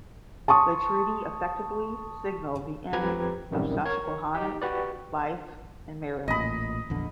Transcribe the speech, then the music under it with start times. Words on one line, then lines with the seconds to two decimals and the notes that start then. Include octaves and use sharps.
The treaty effectively signaled the end of Susquehannock life in Maryland.
0.48 A5 C6 C#6 D#6
2.93 F2 F3 G4 B4 A#5 G#6
3.51 A1 F#2 C3 D#3 G3
3.85 A#4 C#5 G#6
4.35 D#4 G4
4.62 F#4 G4 B4 D5
6.28 A1 A#2 D#5 B5
6.90 A#1 E2 D3